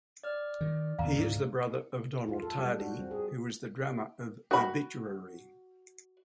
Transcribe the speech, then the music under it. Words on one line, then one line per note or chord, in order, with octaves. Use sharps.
He is the brother of Donald Tardy who is the drummer of Obituary.
D5 F6
D#3
D#2 B2 F5 A#5
D2 G#2 G#3
F4
A4
G3
F#4
C4
G#4
F#4 B5